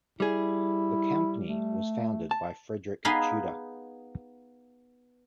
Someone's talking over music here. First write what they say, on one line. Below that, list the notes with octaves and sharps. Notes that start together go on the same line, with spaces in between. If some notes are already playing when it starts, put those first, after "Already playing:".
The company was founded by Frederic Tudor.
G3 E4 G#4
A3
A5
B3 D#4 G#4 B4 F5 B5